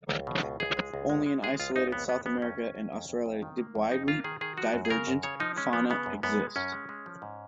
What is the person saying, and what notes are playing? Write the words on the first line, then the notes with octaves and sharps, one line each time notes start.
Only in isolated South America and Australia did widely divergent fauna exist.
C#2
B2
C#2
C#2 G#4
G#3
C#2
G#3
G#3
G#3 G#4
C#2 F4
C#2 D#4
F2 B3
F2 B3
F2 B3
F2 C#4
F2
F2
F2
F2
F2
D#3
A#3
F2
F2 D#4
A#3 F4
D#3 G#4
D#3 G#4
F3 F#4
F#2
G#4
C#3 A#4
F#2
C#3 C#5
F3 D#4
G#3 C#4
F3 B3
C#3 B3
F#2
F#2 B3
G#3
F#2 C#4
G#3
G#3
F3
G#2